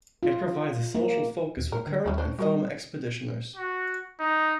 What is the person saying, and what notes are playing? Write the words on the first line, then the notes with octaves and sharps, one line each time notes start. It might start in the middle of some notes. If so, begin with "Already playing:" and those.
It provides a social focus for current and former expeditioners.
F4
A#3
D#2
A2 A#4
D3
D#2 G3 C#4 E4
C#4 D4 C5
G3 F#4 A#4 D#5
F#4
D#4